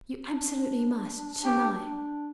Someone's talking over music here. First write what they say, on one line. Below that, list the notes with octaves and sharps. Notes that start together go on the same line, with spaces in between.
You absolutely must, tonight!
D4
G4
D4